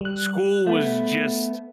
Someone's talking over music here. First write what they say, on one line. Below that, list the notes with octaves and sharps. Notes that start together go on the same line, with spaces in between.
School was just
G3 F#6
A3 B3